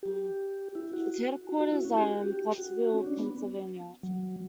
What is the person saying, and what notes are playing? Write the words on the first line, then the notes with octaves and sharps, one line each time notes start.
Its headquarters are in Pottsville, Pennsylvania.
G4
E4
F#4
F#4
F#4
E4
C#4
G4
F#4
G4
F#4
C#4
D4
B3
F#3